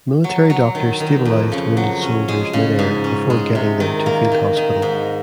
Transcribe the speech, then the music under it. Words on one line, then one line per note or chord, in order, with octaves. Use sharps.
Military doctors stabilized wounded soldiers midair, before getting them to field hospital.
F#3
F#3
D#3
D#3
F2
C#3
F#3
C#4
G#3
C#3
G#2
C#4
G#3
C3
D#3
A#3
D#3
D#3
G#2